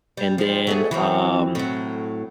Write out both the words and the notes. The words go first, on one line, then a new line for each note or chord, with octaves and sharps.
and then, um,
G3
F3 G3
F#3 A3 G#4
E3 F#3 C4
A2 F#3